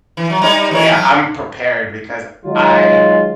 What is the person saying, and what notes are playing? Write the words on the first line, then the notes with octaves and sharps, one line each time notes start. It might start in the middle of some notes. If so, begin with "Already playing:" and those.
Yeah, I'm prepared because I
E3
F#3
G3 D#4 C#5
D#3 E3 C#5
F#3
D#3 F#3 G#3 F4